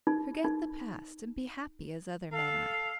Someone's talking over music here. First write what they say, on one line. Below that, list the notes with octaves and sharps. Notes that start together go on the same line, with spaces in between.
Forget the past and be happy as other men are.
D#4
D#4
A4 F5